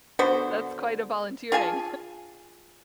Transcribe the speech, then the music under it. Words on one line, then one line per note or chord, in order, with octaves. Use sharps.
that's quite a volunteering.
D3 B3 F#4 C5
F4 G#4 G#5 A5